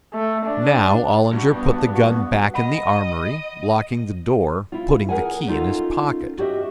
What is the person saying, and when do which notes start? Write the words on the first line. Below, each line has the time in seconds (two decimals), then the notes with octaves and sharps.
Now Ollinger put the gun back in the armory, locking the door, putting the key in his pocket.
0.14 A3
0.45 D4
1.33 G2 F#4
1.53 B3
1.94 F#4
2.10 B3
2.54 D#5 F#5 B5
4.72 E4 F4
5.09 G#4 A#4 F#5 G#5
5.47 C#4 D#4 F4 A4
6.38 F#4 G4 D#5 E5